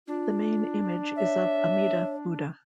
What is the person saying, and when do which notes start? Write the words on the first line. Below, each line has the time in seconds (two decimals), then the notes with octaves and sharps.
The main image is of Amida Buddha.
0.08 D4 F4
1.17 C#5 E5